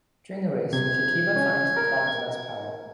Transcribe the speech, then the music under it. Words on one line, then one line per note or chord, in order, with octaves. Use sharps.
During the race, Shikiba finds the car has less power.
C3 G#6
C#4
A#4